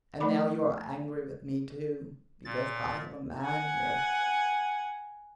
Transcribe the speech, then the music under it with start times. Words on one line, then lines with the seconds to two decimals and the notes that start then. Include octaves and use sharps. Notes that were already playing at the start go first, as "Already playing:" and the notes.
And now you are angry with me too because I have a man here.
0.20 F3 A3 D#4 D5 B5 D6
2.45 A#2 A6
3.43 F#5 G#5